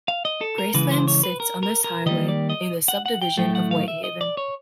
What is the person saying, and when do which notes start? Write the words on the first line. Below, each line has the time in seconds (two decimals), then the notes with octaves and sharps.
Graceland sits on this highway, in the subdivision of Whitehaven.
0.08 F5
0.25 D#5
0.41 A4
0.58 A#4
0.74 C#3 E3 G#3 B4
0.91 C5
1.08 C#5
1.23 B4
1.40 A#4
1.63 A#4
1.84 A#4
2.06 D#3 G3 A#3 D#5
2.28 D5
2.50 D#5
2.88 F#5
3.06 F#5
3.22 G5
3.37 A2 F#3 A3 G5
3.55 F#5
3.71 F5
3.88 E5
4.04 D#5
4.21 D5
4.37 C#5